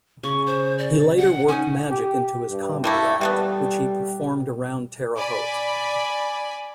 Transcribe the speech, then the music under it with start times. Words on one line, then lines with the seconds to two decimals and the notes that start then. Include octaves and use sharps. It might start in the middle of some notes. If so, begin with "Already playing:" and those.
He later worked magic into his comedy act, which he performed around Terre Haute.
0.23 C#3 C#6
0.46 C5
0.78 D5
1.17 F#5
1.48 C#4 D#4 G#5
1.91 G4
2.51 G2
2.84 G3 A3 A#3 E4
3.21 E3 G3 A3 B3
5.17 D5 G#5 B5